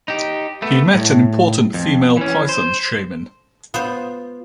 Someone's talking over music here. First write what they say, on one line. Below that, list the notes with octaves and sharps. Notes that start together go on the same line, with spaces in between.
He met an important female python shaman.
D#4 G4
A3 B3
A2
F2
E3 C#4
C5
B3 F4 C5